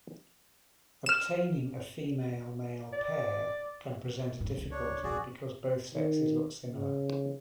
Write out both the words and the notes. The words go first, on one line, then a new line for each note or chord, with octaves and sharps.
Obtaining a female-male pair can present a difficulty because both sexes look similar.
F6 E7
D5
G#2
C#2
D4 C#5
A#1 D#2 F#4 G#4 D5
D#3
C#3